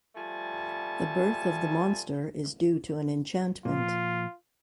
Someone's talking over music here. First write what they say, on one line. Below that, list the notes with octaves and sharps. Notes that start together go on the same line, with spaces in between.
The birth of the monster is due to an enchantment.
F3 G3 A3 G#5 A5
A#2 F3 F4